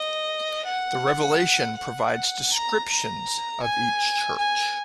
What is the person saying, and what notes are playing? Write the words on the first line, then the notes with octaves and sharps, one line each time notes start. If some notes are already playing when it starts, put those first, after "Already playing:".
The Revelation provides descriptions of each Church.
Already playing: D#5
F#5
F#5
A#5
A#5
G#5
G#5